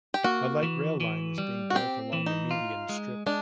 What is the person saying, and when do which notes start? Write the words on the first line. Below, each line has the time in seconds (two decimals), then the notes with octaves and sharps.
A light rail line is being built along the median strip.
0.14 G4
0.24 A#3 F#4
0.63 E3
1.00 E3
1.38 G3
1.70 F#4
1.75 C4 G4
2.13 E3
2.26 D#4
2.51 F4
2.89 G#3
3.26 G#3 D4